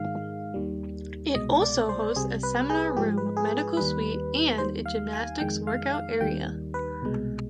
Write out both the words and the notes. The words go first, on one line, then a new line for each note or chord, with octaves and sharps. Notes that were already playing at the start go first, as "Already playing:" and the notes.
It also hosts a seminar room, medical suite, and a gymnastics workout area.
Already playing: G#2 D#3 G#3 F5
D#2 D#3 G3
C2 B2 G#3 D#5
D5
C5
C2 C3 G3 G#4
B4
G#4
G#2 F3 G#3 G4
B4
G#4
G#4
D#2 D#3 G3 B4
D#2 D#3 G3 C5
F5
G#5
F2 D#3 G#3 G5
F5
F5
D#2 D#3 G3 G5
B4
C2 B2 G#3